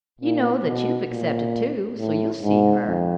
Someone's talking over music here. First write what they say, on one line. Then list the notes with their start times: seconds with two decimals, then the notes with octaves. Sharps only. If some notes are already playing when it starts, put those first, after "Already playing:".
"You know that you've accepted too, so you'll see her."
0.21 A#2
0.65 B2
1.09 A#2
1.99 A2
2.43 G#2
2.87 F2